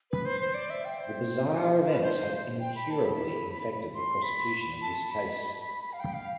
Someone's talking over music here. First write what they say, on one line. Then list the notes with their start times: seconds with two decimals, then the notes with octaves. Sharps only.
The bizarre events have incurably infected the prosecution of this case.
0.11 B4
0.25 C5
0.41 C5
0.54 D5
0.70 E5
0.85 G5
0.99 C5
1.87 B4
2.02 C5
2.60 G5
2.75 B5
2.91 A5
3.05 B5
3.94 C6
4.23 B5
4.82 A5
5.11 B5
5.93 F5
6.00 G5
6.14 F5